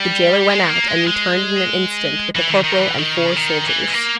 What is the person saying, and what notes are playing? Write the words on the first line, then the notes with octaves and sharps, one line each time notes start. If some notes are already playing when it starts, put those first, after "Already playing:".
The jailer went out, and returned in an instant with a corporal and four soldiers.
Already playing: G3
G#3
A#3
G#3
G#3
E3
D#3
D#3
E3
C#3
D#3
C#3
D#3
E3
G#3
A#3